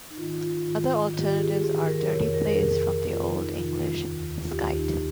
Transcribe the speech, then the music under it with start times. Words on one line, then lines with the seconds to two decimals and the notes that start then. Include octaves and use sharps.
Other alternatives are 'dirty place', from the old English "scite".
0.11 D#4
0.16 G#2 D#3 F4
0.42 F4
0.65 G#2 D#3 F4
1.13 G#2 D#3 F4
1.20 G4
1.28 F4
1.37 G#4
1.62 G#2 D#3 G#4
1.87 A#4
2.10 F2 C3 D#3 C#5
2.34 A#4
2.42 G#4
2.49 A#4
2.58 F2 C3 D#3 G#4
2.83 A#4
3.07 F2 C3 D#3 F4
3.31 D#4
3.55 F2 C3 D#3 F4
3.66 D#4
3.77 F4
4.03 D#2 D#3
4.43 F4
4.51 D#2 D#3 G4
4.77 D#4